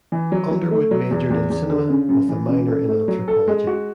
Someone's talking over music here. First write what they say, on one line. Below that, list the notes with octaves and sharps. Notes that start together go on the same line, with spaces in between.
Underwood majored in cinema with a minor in anthropology.
E3
F#3
F#3
A3
F#3
E2
E2
E2
D3
C#3
F#2
E3
C#3
A4
A3
F#3
A4
G#3
F#4